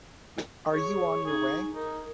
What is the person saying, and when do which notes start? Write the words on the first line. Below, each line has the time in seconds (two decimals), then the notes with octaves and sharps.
Are you on your way?
0.72 G#4 C#5
1.26 D#4 G#4
1.75 D#4 A#4